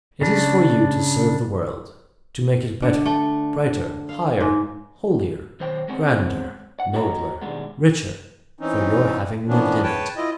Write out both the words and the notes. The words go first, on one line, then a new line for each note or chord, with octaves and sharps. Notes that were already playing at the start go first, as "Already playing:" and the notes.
It is for you to serve the world, to make it better, brighter, higher, holier, grander, nobler, richer, for your having lived in it.
C#3 D4
D3
A3
F5
G#2
B1 D#3 C5 C#5 G5
G#3 B3 C4 C#5
F#5
F#4 C#5 D#5 G5 A#5
B2 D#3 G3 G#3 B3
E3 C4 C#4 D#4
E3 F3 A#3 B3 C#4 D4
C#3 B4 C#5 G5 A5
E4 F4 D#5